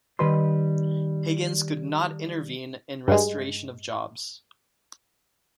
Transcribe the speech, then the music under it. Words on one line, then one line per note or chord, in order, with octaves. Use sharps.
Higgins could not intervene in restoration of jobs.
D#3 G3 B4 D#5 C6
G2 G#3